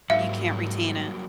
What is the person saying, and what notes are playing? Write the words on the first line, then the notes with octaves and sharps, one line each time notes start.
You can't retain it.
G#2 F#3 G3 A#3 E5 F5